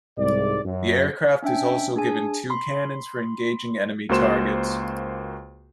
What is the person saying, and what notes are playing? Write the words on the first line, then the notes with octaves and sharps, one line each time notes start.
The aircraft is also given two cannons for engaging enemy targets.
C2 G#2 D5
F#2
C#4 D4 E5 G5
D4 G#4 G#5
B5 C6
C#2 A#3 F#4 C5 C6 E7